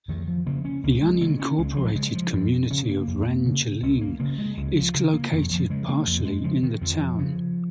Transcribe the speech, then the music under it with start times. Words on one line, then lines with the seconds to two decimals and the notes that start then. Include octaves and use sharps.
The unincorporated community of Rangeline is located partially in the town.
0.08 F2 D#3
0.28 F3
0.46 C#3 A#3
0.65 C#4
0.84 C#2 A#3
1.02 G#3
1.21 C#3 A#3
1.40 C#4
1.59 C#2 G#3
1.77 F3
1.95 C#3 G#3
2.15 F3
2.33 F2 F3
2.71 C#3 C#4
2.89 A#3
3.07 F2
3.46 C#3
3.83 C#2 C#4
4.01 A#3
4.20 C#3 A#3
4.38 G#3
4.57 C#2 G#3
4.76 F3
4.94 C#3
5.13 A#3
5.32 F2 D#3
5.51 F3
5.70 C#3 G#3
5.88 A#3
6.07 F2 F3
6.25 G#3
6.44 C#3 F3
6.63 D#3
6.81 F2 F3
7.19 C#3